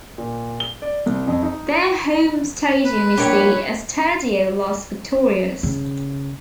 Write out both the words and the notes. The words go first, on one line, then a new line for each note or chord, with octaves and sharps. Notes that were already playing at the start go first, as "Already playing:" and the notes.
Their home stadium is the Estadio Las Victorias.
A#2
G7
D5
C2
F2
D#4
B4
F#3 A#3 D4 G4 C#5
C#3